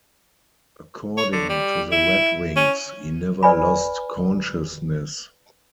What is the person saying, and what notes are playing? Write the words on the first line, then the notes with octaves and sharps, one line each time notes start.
According to the Red Wings, he never lost consciousness.
C#5
D3
G3
E4
C#4
B4 D5 G#5 B5